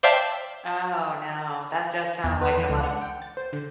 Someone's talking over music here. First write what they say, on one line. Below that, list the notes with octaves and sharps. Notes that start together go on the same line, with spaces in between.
Oh, no. That does sound like a lot of
C5 D5 E5 F5 G5 A5
E2
B4
E3
C#2
F#5
G5
A6
C5
D3